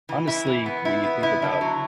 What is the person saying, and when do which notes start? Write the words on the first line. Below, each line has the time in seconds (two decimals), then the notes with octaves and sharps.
honestly, when you think about
0.09 E3
0.27 E4
0.47 E3
0.66 B3
0.85 E4
1.04 B3
1.23 E4
1.42 D3
1.61 F#3